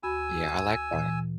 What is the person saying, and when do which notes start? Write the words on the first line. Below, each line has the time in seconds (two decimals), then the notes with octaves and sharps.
Yeah, I like that.
0.03 D2 F#4 G#5 B5 E6
0.91 A#2 E3